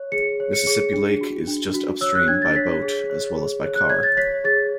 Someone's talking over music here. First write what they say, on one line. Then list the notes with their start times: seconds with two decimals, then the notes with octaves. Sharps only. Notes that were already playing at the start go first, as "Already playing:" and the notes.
Mississippi Lake is just upstream by boat, as well as by car.
Already playing: C#5
0.12 G#4 C#7
0.40 C#5
0.53 C#7
0.67 G#4
0.93 D4
1.21 F#4
1.48 D4
1.75 F#4
2.01 C#5 E6
2.15 F#6
2.28 D4 G#6
2.42 A6
2.56 C#5 B6
2.82 G#4
3.10 C#5
3.37 G#4
3.63 C#5
3.75 F#6
3.90 C#5 G#6
4.03 A6
4.17 C#5 B6
4.44 G#4 A6